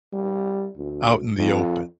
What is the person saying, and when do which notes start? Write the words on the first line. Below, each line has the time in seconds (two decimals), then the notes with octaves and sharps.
out in the open,
0.13 G3
0.77 D2
1.37 F2